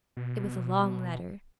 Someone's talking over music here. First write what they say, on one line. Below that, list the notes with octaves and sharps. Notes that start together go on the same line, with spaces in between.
It was a long letter.
B2